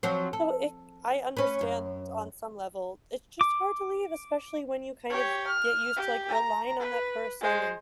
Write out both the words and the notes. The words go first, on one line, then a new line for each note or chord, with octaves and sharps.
So, it I understand on some level, it's just hard to leave, especially when you kind of get used to, like, relying on that person and
F3 F#3 C4
A4
C#4 B4
F#2
D6
G4 C#5
F6
G4
A#5
B4
G#3 C5